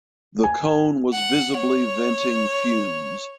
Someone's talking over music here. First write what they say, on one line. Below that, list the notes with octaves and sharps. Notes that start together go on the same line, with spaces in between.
The cone was visibly venting fumes.
G#5
F#5
C#5